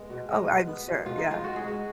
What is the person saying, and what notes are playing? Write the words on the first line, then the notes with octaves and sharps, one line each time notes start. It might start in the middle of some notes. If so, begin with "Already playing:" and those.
Oh, I'm sure, yeah.
Already playing: G#3 B3
B2
G#3
B2
B3
B2
B2 F4
D#4
G#3
F4
G#3 F#4
G#4
G#3 F#4